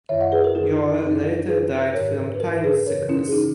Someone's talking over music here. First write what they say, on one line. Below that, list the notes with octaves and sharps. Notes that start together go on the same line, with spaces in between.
Yor later died from time sickness.
F#2 D#3 C#5 E5
D#5 F#5
G#4 B4
F#4 A#4
F#2 D#3 E4 G#4
F#2 D#3 D#4
F#2 D#3 G#4 B4
G#2 D#3 A#4 C#5
B4
G#2 D#3 F#4 A#4
G#4 B4
F#2 C#3 E3 A#4 C#5
C#4 E4
G#4
C#3 E3 D#4 F#4